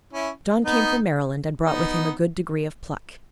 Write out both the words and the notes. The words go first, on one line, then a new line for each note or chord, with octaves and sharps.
John came from Maryland, and brought with him a good degree of pluck.
C#4 E4
B3 D#4
B3 D#4